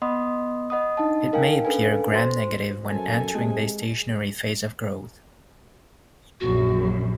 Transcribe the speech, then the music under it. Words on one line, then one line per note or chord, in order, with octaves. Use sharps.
It may appear Gram-negative when entering the stationary phase of growth.
B3 D#5 F#5 B5 C6 D#6
D#5 F#5 B5 D#6
D4 D#4 D#5 F#5 A5
A#4 F5 G5 G#5
C#4 D4 A4 B4 F5 G#5
F#4 C5 C6
F#2 A4 G#5
C3 G#3
A#1 F#2 F#4